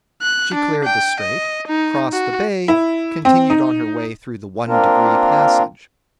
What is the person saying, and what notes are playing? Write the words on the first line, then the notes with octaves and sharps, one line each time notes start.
She cleared the Strait, crossed the bay, continued on her way through the 'One-degree' passage.
F#6
D4
G5
D#5
D#4
F#4
E4
C4
D#4
A#3 C4 D4 F4 A#4